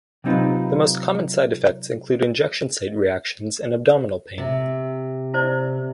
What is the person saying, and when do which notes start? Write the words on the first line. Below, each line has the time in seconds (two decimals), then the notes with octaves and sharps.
The most common side effects include injection site reactions and abdominal pain.
0.24 C3 F#3 C4 D#4 F4 B4
4.38 C3
5.34 E4 C5 D5